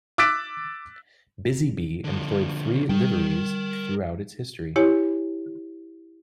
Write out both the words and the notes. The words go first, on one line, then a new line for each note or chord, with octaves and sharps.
Busy Bee employed three liveries throughout its history.
D6 E6 F#6 A6 B6 D7
D3 F3
G3 A#4 G5
E4 G4 C#5 G#5